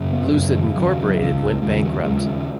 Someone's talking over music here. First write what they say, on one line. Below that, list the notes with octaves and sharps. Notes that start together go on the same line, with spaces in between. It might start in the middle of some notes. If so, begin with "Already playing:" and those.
Lucid Incorporated went bankrupt.
Already playing: F#2 C#3
B3
F#2 C#3
D#3
D#2 C#3 F#3
C#2 C#3
D#2 C#3 G#3
F#3
D#2 C#3 G#3